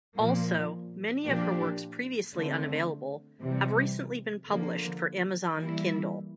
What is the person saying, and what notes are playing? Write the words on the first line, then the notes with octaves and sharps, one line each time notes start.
Also, many of her works previously unavailable have recently been published for Amazon Kindle.
A#2 F3 A#3
A#2 F3 A#3 D4 G4
D3 A3 C4
C3 E3 G3
D3 F3 A#3
E3 G3 A#3 E4